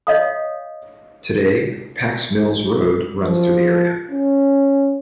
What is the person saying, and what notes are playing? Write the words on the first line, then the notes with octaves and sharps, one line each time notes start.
Today, Packs Mills Road runs through the area.
C#5 D#5 F5 D#6
F3
C#4